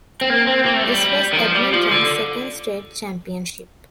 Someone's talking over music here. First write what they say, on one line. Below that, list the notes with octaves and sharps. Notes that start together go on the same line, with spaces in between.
This was Edmonton's second-straight championship.
C4
A#3
C4
A#3
A3
G3
D#3
F3
G3
F3
D3